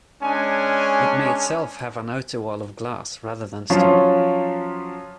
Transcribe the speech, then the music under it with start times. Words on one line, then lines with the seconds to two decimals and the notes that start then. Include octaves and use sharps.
It may itself have an outer wall of glass rather than stone.
0.22 G#3 C#4 D4 G#5
3.70 F3 F#3 C#4 F4